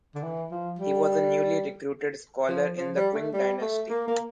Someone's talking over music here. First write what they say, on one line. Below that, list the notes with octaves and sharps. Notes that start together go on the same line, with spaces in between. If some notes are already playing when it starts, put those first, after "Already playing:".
He was a newly-recruited scholar in the Qing Dynasty.
D3
E3
F3
G3
F3
F3
G3
A3
G3
A3
A#3
A#3